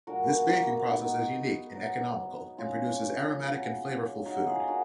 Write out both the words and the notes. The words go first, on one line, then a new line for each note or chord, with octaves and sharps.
This baking process is unique and economical and produces aromatic and flavorful food.
A#2 F3 G#3 F#4 A#4
B3
A#3
B3
B3 D#4
B2 F#3
C#4 F4
C#3 F#3
D#4 F#4
F4 G#4
F#4 A#4